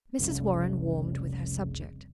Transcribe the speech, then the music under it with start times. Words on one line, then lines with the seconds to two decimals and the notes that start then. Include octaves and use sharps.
Mrs. Warren warmed with her subject.
0.19 F1 C2 C#3